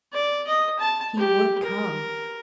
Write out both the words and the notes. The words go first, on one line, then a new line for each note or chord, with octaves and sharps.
He would come!
D5
D#5
A5
G4
A#4